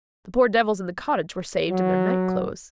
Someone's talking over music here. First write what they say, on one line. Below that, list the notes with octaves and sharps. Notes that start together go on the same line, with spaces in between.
The poor devils in the cottage were saved in their night clothes.
F#3